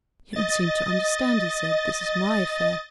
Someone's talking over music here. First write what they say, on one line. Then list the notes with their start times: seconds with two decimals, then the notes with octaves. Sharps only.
"You don't seem to understand," he said, "this is my affair."
0.33 D#5 A6